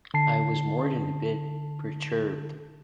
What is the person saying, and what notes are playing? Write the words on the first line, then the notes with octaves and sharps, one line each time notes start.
I was more than a bit perturbed.
D3 A5 C7